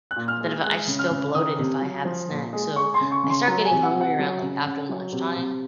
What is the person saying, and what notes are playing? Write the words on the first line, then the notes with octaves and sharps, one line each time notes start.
but then if I just feel bloated if I have a snack. So, I start getting hungry around, like, after lunchtime,
F#6
A#2
F6
G#3
G#3 F#6
C#3
F6
C#3
D#3 D#6
C3
F#3
F3
A#2
G#3
G#3 C#6
C6
C#3
C#6
C#3
C6
F#3 A#5
G#5
C3
F#5
C3
F#5
F#3
C#3
C#3
F#3
C3
C3